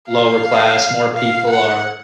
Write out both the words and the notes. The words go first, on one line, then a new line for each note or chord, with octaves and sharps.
lower class, more people are
F5
F5
F#5